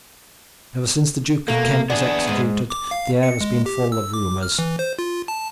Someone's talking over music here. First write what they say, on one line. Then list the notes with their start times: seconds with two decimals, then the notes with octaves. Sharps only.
Ever since the Duke of Kent was executed the air has been full of rumours.
1.48 B2 A3 A#3
1.90 B3 D4 G#4
2.28 G#2 G#3
2.70 D6
2.91 F5
3.23 C#7
3.41 G#3
3.66 G4
3.92 E6
4.14 D6
4.43 F6
4.59 E3
4.79 C5
4.99 F4
5.28 A5